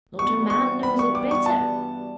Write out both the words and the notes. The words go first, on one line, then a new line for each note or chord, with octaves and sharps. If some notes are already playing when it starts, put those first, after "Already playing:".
Not a man knows it better.
G2 E3 G3 B3 F#4 C#6
C#6
B5
C#6
D6
C#6
A5